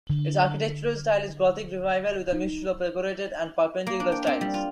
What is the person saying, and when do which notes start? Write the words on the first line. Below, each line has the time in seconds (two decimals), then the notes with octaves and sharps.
Its architectural style is Gothic Revival, with a mixture of Decorated and Perpendicular styles.
0.10 D3
2.33 D#4
3.87 A#3
4.00 D4
4.12 G5
4.27 C4
4.41 G3
4.54 F4